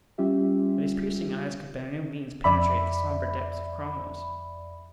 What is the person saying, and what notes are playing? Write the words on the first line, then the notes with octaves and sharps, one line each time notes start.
But his piercing eyes could by no means penetrate the sombre depths of Cromwell's.
G3 C#4 F4 G4 E5
F2 D5 E5 B5